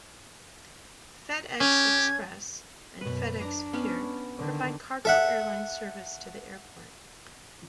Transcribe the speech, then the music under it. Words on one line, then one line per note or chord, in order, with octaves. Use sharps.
FedEx Express and FedEx Feeder provide cargo airline service to the airport.
C#4 G4 G#6
F#2 B2 B4
D4 A#5
B3 C#4 C#5
D3 D#3
A4 E5 F#5